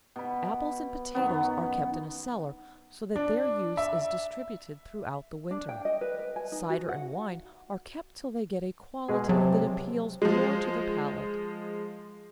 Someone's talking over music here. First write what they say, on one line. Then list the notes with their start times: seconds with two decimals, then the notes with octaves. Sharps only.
Apples and potatoes are kept in a cellar so that their use is distributed throughout the winter; cider and wine are kept till they get a quality that appeals more to the palate.
0.16 B2 B5
1.15 F#2 D#3 F#3 B3
3.16 D4
3.77 E5
5.51 D4
5.69 G5
5.85 D#5
6.01 B4
6.19 B4
6.36 G#5
6.52 D#4
6.69 F#4
6.89 F#5
9.09 B2 G#3 G#4
9.29 C3 F#3 A5
10.22 F3 G#3